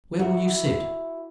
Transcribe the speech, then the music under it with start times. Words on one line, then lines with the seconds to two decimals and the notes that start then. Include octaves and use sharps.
Where will you sit?
0.19 E4 F#4 A#4